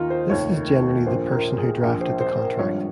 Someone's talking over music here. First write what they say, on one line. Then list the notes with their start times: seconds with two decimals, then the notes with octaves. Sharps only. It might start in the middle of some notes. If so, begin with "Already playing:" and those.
This is generally the person who drafted the contract.
Already playing: D#2 D#3 D#4 F4
0.10 C5
0.30 F1 D#2 D#3 C#5
1.06 A#1 A#2 F3 C5
1.32 A#4
1.58 G#4
1.82 A#1 A#2 F3 A#4
2.01 C5
2.20 C5
2.40 A#4
2.58 G#1 G2 F3 C#5